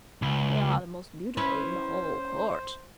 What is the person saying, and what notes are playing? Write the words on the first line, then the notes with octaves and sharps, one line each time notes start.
They are the most beautiful in the whole court.
C#2
C#4 E4 B4 C5